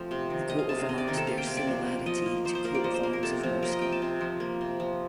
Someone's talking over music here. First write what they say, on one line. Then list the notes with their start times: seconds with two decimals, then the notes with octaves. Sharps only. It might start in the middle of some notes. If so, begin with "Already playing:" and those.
The coat of arms bears similarity to Coat of arms of Moscow.
Already playing: F3 A3 C4
0.11 C3
0.30 D#3
0.49 A#3 D#5
0.59 F5
0.69 C3 A5
0.79 F5
0.89 C3 D#5
0.98 D5
1.08 D#3 A#4
1.17 A4
1.27 A#3 F5
1.37 G5
1.47 C3 F5
1.57 D5
1.67 F3
1.86 A#3
2.06 F3 D#5
2.26 A#3
2.45 F3 C5
2.55 C5
2.64 A#3 A#4
2.75 D5
2.84 F3 D#5
2.94 C5
3.03 A#3
3.13 A#4
3.23 C3 A4
3.43 F3
3.63 A#3 A#4
3.72 D#5
3.81 C3 G5
3.92 A5
4.02 C3
4.21 F3
4.40 A#3
4.61 C3
4.80 F3